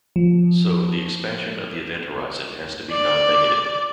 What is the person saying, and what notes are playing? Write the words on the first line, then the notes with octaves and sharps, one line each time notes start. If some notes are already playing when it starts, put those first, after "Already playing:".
So, the expansion of the event horizon has to be nonnegative.
F3
D5